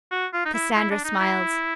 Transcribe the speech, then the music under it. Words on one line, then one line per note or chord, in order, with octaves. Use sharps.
Cassandra smiled.
F#4
F4
D#4
E4
E4
D4
D#4
E4